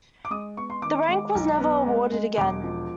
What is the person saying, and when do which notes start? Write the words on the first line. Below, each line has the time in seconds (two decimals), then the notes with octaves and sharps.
The rank was never awarded again.
0.25 D6
0.30 G#3 D#6
0.57 B3 C#6
0.70 C6
0.82 D#3 D6
1.09 G#3
1.35 B1
1.60 B3
1.86 G#3
2.12 G#3
2.38 E1 D6
2.64 F3